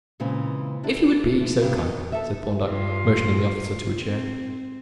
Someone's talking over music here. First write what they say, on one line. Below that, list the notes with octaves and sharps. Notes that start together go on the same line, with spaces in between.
"If you would be so kind," said Thorndyke, motioning the officer to a chair.
A#2 C#3 E3 G#3 C4
D4 E4 G4
F3 A3 B3
G2 F#3 G3 D#4 G4
D#3 C#5 D#5 G5
A4 E5
G2 F4
C4